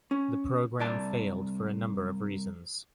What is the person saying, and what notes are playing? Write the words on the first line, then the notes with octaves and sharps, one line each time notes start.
The program failed for a number of reasons.
C#4
C2 D5 A5